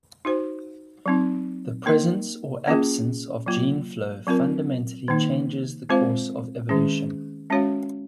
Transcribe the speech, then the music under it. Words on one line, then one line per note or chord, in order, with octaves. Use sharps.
The presence or absence of gene flow fundamentally changes the course of evolution.
D#4 F#4 C5
F#3 C4 D#4
A#3 D#4 A#4 D#5
A#3 C#4 F4 G#4
F#3 A#3 F4
F#3 C4 F4 A#4
D#3 A#3 D#4
G#3 C4 F4 C5 F5
D#3 G#3 C#4 G#4
G#3 C#4 F#4 C#5 F5